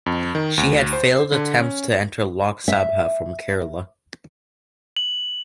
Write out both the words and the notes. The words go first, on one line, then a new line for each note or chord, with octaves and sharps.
She had failed attempts to enter Lok Sabha from Kerala.
F2
D#3
D2
C5
D3
C#4
E5
F#7